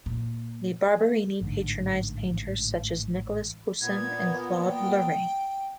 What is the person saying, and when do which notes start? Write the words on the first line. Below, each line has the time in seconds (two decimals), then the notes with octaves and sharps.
The Barberini patronised painters such as Nicolas Poussin and Claude Lorrain.
0.06 A#2
1.41 A1 G#2 D3
3.82 A#2 B3 G#6
4.68 G5